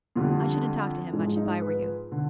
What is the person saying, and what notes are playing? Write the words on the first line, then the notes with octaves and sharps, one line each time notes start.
I shouldn't talk to him much if I were you.
F2 D3 G3
G#2 F3 G#3 D4
D#4
B4
D3